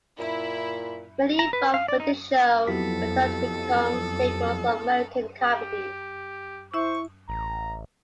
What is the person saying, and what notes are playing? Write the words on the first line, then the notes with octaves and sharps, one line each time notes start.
Many involved with the show went on to become staples of American comedy.
A#2 E4
A#5
B4
F5
D5
D#4
F2 F#3 B3 E4 G4 A4 B6
G4
E4 C5 E5 C#6
A1 A#5